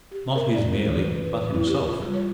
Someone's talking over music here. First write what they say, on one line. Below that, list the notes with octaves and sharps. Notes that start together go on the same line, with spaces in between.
Not his merely, but himself.
G4
A#4
D5
C5
E3
B4
B4
E4
G4
F4
G3
C#5